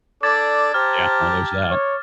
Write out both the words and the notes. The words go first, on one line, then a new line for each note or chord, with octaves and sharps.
Yeah, well, there's that.
D4 A4 D5 D6 G#6 A6
G4 C5 A5 A#5 F6
C#5